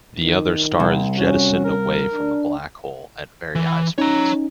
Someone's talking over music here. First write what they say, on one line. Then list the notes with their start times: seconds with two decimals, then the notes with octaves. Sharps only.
The other star is jettisoned away from the black hole at very high speeds.
0.18 D#3
0.80 C2 C4
1.17 C#4 F#4
1.65 A#4
2.13 D4
3.55 E3
3.98 C#4 D#4 C#5 A#5